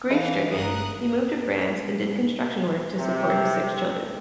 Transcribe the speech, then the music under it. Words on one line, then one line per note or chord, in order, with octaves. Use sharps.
Grief-stricken, he moved to France and did construction work to support his six children.
E3 E4 A4 D#5 F5
G1 A#4 D#6 F#6
C3